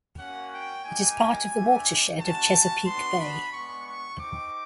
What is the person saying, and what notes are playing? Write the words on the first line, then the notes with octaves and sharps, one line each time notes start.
It is part of the watershed of Chesapeake Bay.
A#3 C#4 F#4 F#5
G5
A#3 D#4 G4 G#5
A3 D4 G4
G#3 C#4 F#4 A5
B3 D4 F#4 C6
B5
G#3 B3 D4 C#6
C#6
C4 D#4 G4 D6